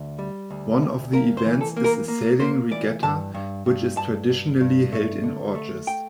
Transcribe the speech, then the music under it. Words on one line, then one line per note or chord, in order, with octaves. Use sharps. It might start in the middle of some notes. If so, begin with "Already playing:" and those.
One of the events is a sailing Regatta, which is traditionally held in August.
Already playing: D2
G3
D2
D2
A#3 A#4
C5
E3
A4
A#3
A#4
A#3
A#3 C5
E3 D5
G2 A5
G2
G2
G2 A5
G2
G2
A3
D3
A3
G5